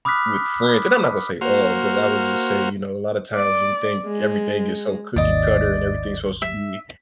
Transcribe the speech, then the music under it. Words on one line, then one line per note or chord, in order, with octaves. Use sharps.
with friends, and I'm not gonna say all, but I would just say, you know, a lotta times we think everything is so cookie-cutter and everything's supposed to be,
B5 D6 D#6 F6 F#6 B6
A#3 F#4 C5 F6
D5
G#3
G#1 D#2 D5 D#5
E5